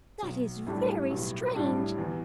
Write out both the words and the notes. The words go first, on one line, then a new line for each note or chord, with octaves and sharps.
That is very strange!
B1
A2 G3 D4 G4
B1
A2 G3 D4 G4
E2